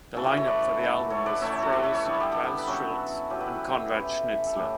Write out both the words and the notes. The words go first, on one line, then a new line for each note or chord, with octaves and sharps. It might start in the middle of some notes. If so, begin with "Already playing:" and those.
The line-up for the album was Froese, Klaus Schulze, and Conrad Schnitzler.
C#3 E3 A3 F#4 A4
F#4 A4
A4 C#5
B4 D5
F#3 A3 C#4 E4
A4 C#5
B4 D5
E3 A3 E4 C#5 E5
A4 C#5
F#4 A4
G4 B4
C#5 E5
A4 C#5
D3 G3 B3 E4
G4
A4
G4
B4
B2 F#3 C#4 E4 F#4 A4
F#3 C#4 E4 G4 B4
G4 B4
B2 A3 C#4 E4 G4
A4
A2 E3 A3 E4 G4